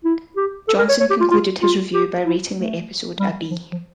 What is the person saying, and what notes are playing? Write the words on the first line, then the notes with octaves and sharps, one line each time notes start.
Johnson concluded his review by rating the episode a "B".
E4
G4
A4
A#4
C#5
C#5
G4
F4
F4
F4
G4
E4
A3
G3
F3
F3